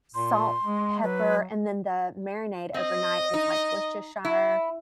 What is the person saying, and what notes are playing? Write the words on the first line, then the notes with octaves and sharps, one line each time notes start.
salt, pepper and then the marinade overnight is like Worcestershire,
A#2 C6
G#3
F#3 B4
C4 D#5
D#4
E4